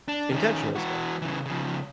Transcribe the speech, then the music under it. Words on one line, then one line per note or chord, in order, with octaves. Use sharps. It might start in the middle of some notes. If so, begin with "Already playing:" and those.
Intentionally so
D4
D#3 C#4
E3 F#4
C#3 E3
C#3 F3